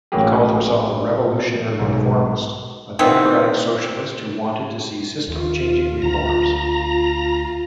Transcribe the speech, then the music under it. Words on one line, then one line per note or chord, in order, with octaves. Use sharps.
He called himself a "revolutionary-reformist", a democratic socialist who wanted to see system-changing reforms.
A1 A2 F#3 A#3 G4 G#4
B1 G#2
D#3 E3 B3 C4
D#2 F4
D2 A#5